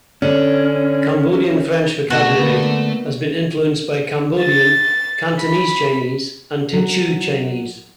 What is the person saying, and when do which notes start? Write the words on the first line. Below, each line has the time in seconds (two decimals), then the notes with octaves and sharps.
Cambodian French vocabulary has been influenced by Cambodian, Cantonese Chinese, and Teochew Chinese.
0.22 D3 C#4
2.10 B2 A3 F#4 F#5 A5
2.38 D3 A#3 B3
4.41 A6
5.40 B5
6.73 F#3